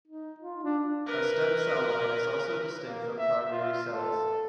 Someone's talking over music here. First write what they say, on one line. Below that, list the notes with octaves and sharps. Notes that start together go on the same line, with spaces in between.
A stem cell line is also distinct from primary cells.
D#4
F4
D4
A#4 B4
A#3
E5
F4
A4